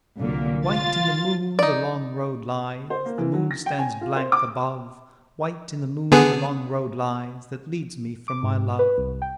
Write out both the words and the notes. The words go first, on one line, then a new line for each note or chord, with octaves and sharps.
White in the moon the long road lies, The moon stands blank above; White in the moon the long road lies That leads me from my love.
C2 A#2 D3 F#3 A#3
F4 A6
D#4 D5
C5
A#3
E3
F#3
A#6
G5
G#5
F4
C5
D6
D3 B3 G#4
D6
G#2
B4
C2
G5